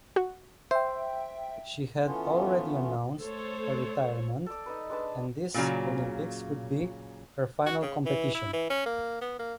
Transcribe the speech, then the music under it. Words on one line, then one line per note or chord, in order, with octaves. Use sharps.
She had already announced her retirement and this Olympics would be her final competition.
F#4
C5 E5 G5
E3 A3 B3 C#4 F4
A3 A4 C5 C#5
A4 D5
D#4 A4 B4
G#3 D4 B4 A5
A#2 C#3 F#3
F#4
C#3
E3
E4
E3
C#4
A#3
B3
A#3